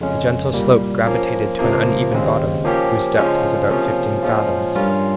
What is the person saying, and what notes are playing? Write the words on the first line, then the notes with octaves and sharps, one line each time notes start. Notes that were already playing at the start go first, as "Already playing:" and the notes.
A gentle slope gravitated to an uneven bottom whose depth was about fifteen fathoms.
F2 C#3 G#3 C#4
C2 A#2 G3 A#3
F3 A#3 C#4
C#2 C3 F3 A#3
D#2 C#3 G#3 C4
F3 A#3 C#4 G4
C#3 F3 G#3 C#4
C3 F3 A#3 C#4 G#4
A#2 F3 G#3 C#4 F4
G2 G3 C#4 F4 A#4